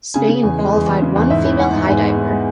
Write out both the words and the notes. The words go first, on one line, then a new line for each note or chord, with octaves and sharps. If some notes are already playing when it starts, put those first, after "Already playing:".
Spain qualified one female high diver.
C#3 G#5
C#3
E2
G#3
E2
E2
C#3
E2
G#2 E5
E3
G#2 F#5
G#2
G#2 G#5
G#3
G#2
G#3